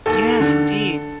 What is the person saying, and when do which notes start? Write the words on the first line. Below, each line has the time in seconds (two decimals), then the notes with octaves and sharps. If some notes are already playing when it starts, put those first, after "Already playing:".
Yes, indeed.
0.06 D#2 A4
0.41 D3